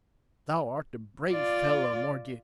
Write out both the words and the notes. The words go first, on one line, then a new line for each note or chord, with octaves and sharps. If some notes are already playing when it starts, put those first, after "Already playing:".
Thou art a brave fellow, mordioux!
F4 D5